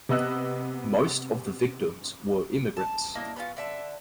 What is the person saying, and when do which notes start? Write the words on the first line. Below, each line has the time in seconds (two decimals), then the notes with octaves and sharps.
Most of the victims were immigrants.
0.09 C3 B3 D#5 E6 F#6
2.77 A5
3.15 A#3 D4 E4 D#5
3.36 B3 C#4 D#4 F4
3.57 D3 E5 A5